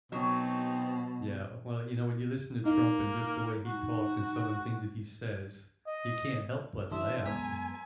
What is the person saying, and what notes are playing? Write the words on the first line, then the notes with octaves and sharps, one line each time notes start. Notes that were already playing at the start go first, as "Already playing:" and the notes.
Yeah, well, you know, when you listen to Trump and just the way he talks and some of the things that he says, you can't help but laugh.
B2 F#3 C4 D#4
A#3 D#4
F#4
D#5
D3 E3 D4 E5 A5 C6 D#6
F#2 G#3 B3 G#5 A#5 E6 B6